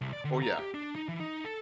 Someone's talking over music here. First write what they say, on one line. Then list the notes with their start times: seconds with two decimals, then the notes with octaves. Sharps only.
Oh, yeah.
0.01 C2
0.13 D5
0.25 D3
0.43 A#5
0.59 G4
0.74 D4
0.95 D#4
1.09 E3
1.20 D#4
1.44 A4